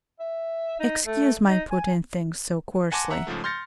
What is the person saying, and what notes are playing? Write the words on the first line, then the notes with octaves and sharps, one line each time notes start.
Excuse my putting things so coarsely.
E5
D#4
A3
D#4
G#5
F#5 G#5 A5 C6 D6 A#6
E5 F#5 A#5
G#2 C#3 F3 A3
C6 F6 G6 A6 A#6 C#7